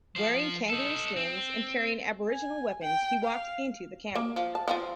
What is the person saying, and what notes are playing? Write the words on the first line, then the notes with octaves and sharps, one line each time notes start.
Wearing kangaroo skins and carrying Aboriginal weapons, he walked into the camp.
F3 C5
D#4 A4
C4
G#5
G5
F5
A#3
F3
A5
F3 C4 F4